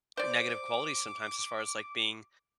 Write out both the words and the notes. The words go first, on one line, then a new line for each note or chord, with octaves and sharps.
negative qualities sometimes as far as, like, being
C5 D5 D6